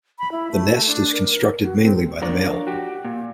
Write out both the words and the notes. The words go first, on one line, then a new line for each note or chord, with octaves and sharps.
The nest is constructed mainly by the male.
B5
E4
A3
D4
A#4
F#4
C4
F3 D4 F4 A#4 C#5 D5
F#4 G4
A#2